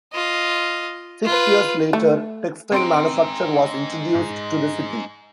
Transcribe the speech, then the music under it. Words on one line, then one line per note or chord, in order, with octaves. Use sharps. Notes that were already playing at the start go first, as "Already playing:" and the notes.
Six years later, textile manufacture was introduced to the city.
F4 D#5
F4 B4
A3
G#3 C4 D#4 C6 D7
G#2